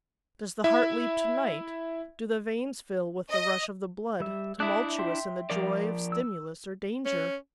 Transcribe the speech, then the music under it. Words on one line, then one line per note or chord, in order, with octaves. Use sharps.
Does the heart leap to-night, do the veins fill with the rush of the blood, tumultuous in the joy of stimulus or danger?
E4 E5
D#5
G3 E5
D4 E4 E5 D#6 F#6
E5 G5 C6
F3 A#4 D5
E6
C#4